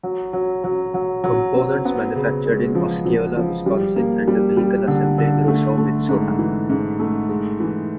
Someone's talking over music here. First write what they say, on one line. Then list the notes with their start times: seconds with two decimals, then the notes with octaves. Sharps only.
Components manufactured in Osceola, Wisconsin and the vehicle assembly in Roseau, Minnesota.
0.03 F#3
0.33 F#3
0.64 F#3
0.94 F#3
1.24 F#3
1.54 C4
1.85 B3
2.15 C#3
2.46 G#3
2.75 F3
3.05 F3
3.37 F3
3.66 G3
3.96 A#3
4.28 G3
4.57 G3
4.87 D3
5.18 D3
5.48 A3
5.78 A3
6.09 G#2
6.39 E3
6.70 G#2
7.00 A3
7.29 G#3
7.60 E3